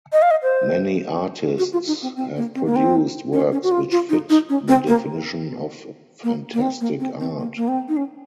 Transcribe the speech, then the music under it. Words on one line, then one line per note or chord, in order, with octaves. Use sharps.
Many artists have produced works which fit the definition of fantastic art.
D#5
F5
D#5
C5
F#4
F4
D#4
C4
C4
A#3
C4
A#3
C4
C#4
C#4
F#4
F4
F4
D#4
D#4
C#4
C4
A#3
A#3
A#3
C4
A#3
C4
C4
A#3
A#3
C4
D#4
C#4